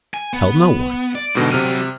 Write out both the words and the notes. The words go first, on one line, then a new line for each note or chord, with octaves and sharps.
Tell no one.
G#5
B3
D5
G#2 B2 D3 F#3 G3
C3 F6 D#7